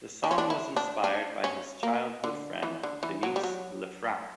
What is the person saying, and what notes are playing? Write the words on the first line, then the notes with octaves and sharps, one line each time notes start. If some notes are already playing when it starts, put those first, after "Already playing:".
The song was inspired by his childhood friend, Denise Lefrak.
D4
C#4
D4
E4
D4
D4
C#4
A#3
D3
E3
D3
E3
F#3
G3
F#3